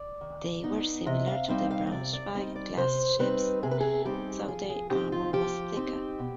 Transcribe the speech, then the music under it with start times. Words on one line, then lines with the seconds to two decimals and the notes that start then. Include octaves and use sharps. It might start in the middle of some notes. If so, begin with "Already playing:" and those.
They were similar to the "Braunschweig"-class ships, though their armor was thicker.
Already playing: D5
0.21 D#3
0.64 B3 D#4
1.06 C3 D#5
1.27 F5
1.48 G3 C4 D#4 F5
1.71 F5
1.87 D#5
1.91 C3 D5
2.13 D5
2.34 G3 C4 D#4 D#5
2.55 D5
2.77 C3 C5
3.19 G3 C4 D#4 B4
3.63 C3 G#4
3.71 B4
3.80 G#4
4.05 G3 C4 D#4 G4
4.48 F3 G#4
4.70 G#4
4.90 C4 D#4 G4
5.12 F4
5.33 F3 G4
5.76 C4 D#4
6.19 B2